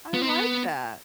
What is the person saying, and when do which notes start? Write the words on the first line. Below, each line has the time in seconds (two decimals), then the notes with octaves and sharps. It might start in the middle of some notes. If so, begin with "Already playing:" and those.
I like that.
0.14 B3
0.22 C4
0.29 B3